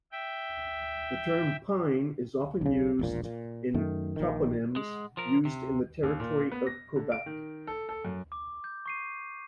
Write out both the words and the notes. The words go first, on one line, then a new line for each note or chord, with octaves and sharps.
The term "pine" is often used in toponyms used in the territory of Quebec.
E5 G5
B1 C#3
E1 A#1 A#2
A#2
F#2 D#3 A3
A#1 D#3
G#3
F3 A#4
C3
D#2
A#2
B3
A#6
D3
D7
D#3
A4
A4
F#2
D6
G6
C#6 C7 D#7